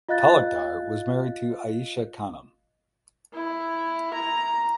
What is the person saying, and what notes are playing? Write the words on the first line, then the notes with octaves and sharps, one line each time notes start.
Talukdar was married to Ayesha Khanam.
F4 D#5 F5 F#6 A6
E4
A#5